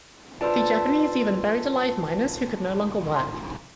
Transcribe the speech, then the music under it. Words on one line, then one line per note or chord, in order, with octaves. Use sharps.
The Japanese even buried alive miners who could no longer work.
D4 F4 B4 C5 A5 E6
C6